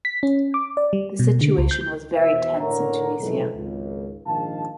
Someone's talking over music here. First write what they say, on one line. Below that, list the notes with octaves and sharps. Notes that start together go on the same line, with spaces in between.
The situation was very tense in Tunisia.
B6
C#4
D6
D5
G3
B2
D3
C#2
G6
E2 B2 C5 E5
A2 D3 A#4 C#5 F#5 A#5
B1 F2 G#2 E3 A3
G#1 C#2
A#1 G#2 D#3 F5 A5